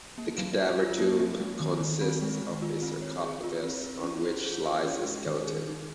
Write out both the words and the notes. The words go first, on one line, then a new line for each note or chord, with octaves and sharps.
The cadaver tomb consists of a sarcophagus on which lies a skeleton.
A#3
F#3
C5
F4
A#3
F#3
G#3
D#3
D#3
C4
G#3
D#3
F4
C4
C#5
G#4
F4
C4
F4
C#4
C5
G#4
F4
C#4
G#3
D#3
G#4
D#4